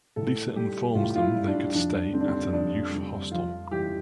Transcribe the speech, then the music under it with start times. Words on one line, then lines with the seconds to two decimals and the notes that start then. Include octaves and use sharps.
Lisa informs them they could stay at an youth hostel.
0.16 A2 A4
0.56 G3 G4
0.95 A2 F4
1.16 F4
1.21 E4
1.34 G3
1.48 D4
1.74 F2 D4
2.13 D3 G3 C4
2.21 D4
2.28 C4
2.53 F2 D4
2.92 D3 G3
3.32 F2 F4
3.71 E3 G3 G4